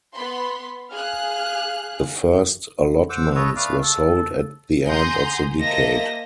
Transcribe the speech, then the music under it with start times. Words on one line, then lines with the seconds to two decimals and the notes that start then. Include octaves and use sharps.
The first allotments were sold at the end of the decade.
0.14 B3 B5 C6
0.91 G#4 F5 F6 F#6
3.10 C5 F#5 D6 E6
3.35 A4 B4 C#5 D#5
3.56 A3 B4 D5 F5
3.82 A4
4.86 F#5 G#5 A#5 C6 D#6 G6
5.61 A#3 C5 D#5 E5 A5 A#6